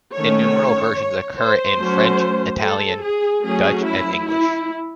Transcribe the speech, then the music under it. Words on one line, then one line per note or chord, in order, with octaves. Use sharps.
Innumerable versions occur in French, Italian, Dutch and English.
D#3 A3 C#4 C#5
C5
F#3 A3 C#4
A4
G#4
F#3 A3 C#4 G#4
E4
E4